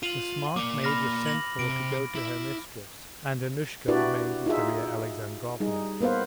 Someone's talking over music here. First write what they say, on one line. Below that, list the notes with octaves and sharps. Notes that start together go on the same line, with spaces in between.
The smart maid was sent for to go to her mistress, and Annushka remained with Darya Alexandrovna.
F4 D#7 F#7
A#3 D5 D6
B5 F6 A#6
A#6 F7 F#7
C3 D7
E4
D4 E4 F#4 G4 B4 D5
D#4 F4 G#4 E5
G3 D#4 G#4
A#3 B3 B4 C5 F5